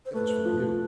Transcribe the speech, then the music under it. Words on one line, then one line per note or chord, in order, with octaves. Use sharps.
It was from you!
C5
A3 B4
F3